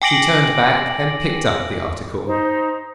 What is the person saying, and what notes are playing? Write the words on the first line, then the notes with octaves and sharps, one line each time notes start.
She turned back and picked up the article.
G5 G#5 D6 A#6 D7 F#7
D#4 C5